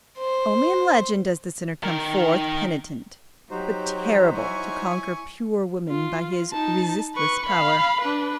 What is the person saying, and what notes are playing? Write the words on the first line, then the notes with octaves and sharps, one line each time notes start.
Only in legend does the sinner come forth penitent, but terrible, to conquer pure woman by his resistless power.
C5
D#3 A#4
F#3 D#4 F#4 G4 C5
E4 G#5 C#6
F4
D#4 A5
B4 C#6
F5 B5
D4 B4